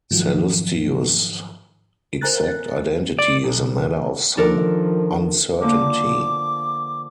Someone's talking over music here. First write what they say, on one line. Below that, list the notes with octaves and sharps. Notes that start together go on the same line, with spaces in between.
Sallustius' exact identity is a matter of some uncertainty.
G#2 D#3 F3 F#3
A#4 C5 G#5 A#5 F#6 A6
D5
B1
D#3 F3 D4 A4 A#4
D3 F3 A#3 D6